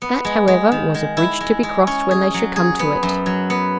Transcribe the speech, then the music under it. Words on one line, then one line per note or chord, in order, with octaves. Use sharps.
That, however, was a bridge to be crossed when they should come to it.
B3
G#3
G#3
D#3
G#3
E4
G#3
G#3
C#4
G#4
F#3
G#4
B3
F#2
F#3
B3